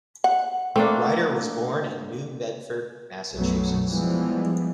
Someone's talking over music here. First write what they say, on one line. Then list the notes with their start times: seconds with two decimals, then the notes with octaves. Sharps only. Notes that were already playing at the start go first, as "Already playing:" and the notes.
Ryder was born in New Bedford, Massachusetts.
0.24 F#5
0.76 A3 A#3 C4 D4
3.33 B1 F#2 B2 F#3 A3 B3
3.88 E3 F3 G3 G#3 B3